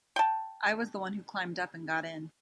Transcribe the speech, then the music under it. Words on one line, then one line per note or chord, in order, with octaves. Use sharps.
I was the one who climbed up and got in.
G5 A5